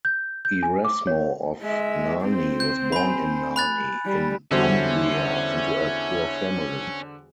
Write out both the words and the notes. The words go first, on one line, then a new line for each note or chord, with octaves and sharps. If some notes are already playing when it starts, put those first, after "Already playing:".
Erasmo of Narni was born in Narni, in Umbria, into a poor family.
G6
G6
G#5
D6
C#5
G#3 E5
C4 C5
G6
G#5 B5
B5 F#6 A6
G3
E2 D3 G3 C#4 E4 F#4 C5